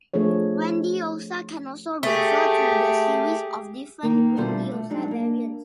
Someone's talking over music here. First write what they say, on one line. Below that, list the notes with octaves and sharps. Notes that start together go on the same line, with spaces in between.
Grandiosa can also refer to the series of different Grandiosa variants.
F3 A3 D4 G#4 C#5
A3 G4 G#4
D#3 A#3
D2 B2 G3 A3 F4 C5
A3
F#3 G#3 D4 D#4
A#3